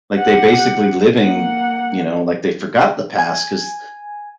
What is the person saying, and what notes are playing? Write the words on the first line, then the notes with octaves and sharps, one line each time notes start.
like, they basically living, you know, like, they forgot the past 'cause
G4 F#5
A#3 F#5
G#5